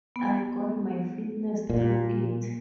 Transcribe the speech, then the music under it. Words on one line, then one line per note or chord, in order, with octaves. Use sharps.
I got my fitness through it.
B3
A#2